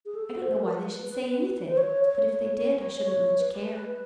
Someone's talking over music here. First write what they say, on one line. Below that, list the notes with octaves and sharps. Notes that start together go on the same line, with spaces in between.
"I don't know why they should say anything, but if they did I shouldn't much care."
G#4
A4
C5
A#4
B4
C5
C#5
C#5
C#5
C#5
C#5
C#5
B4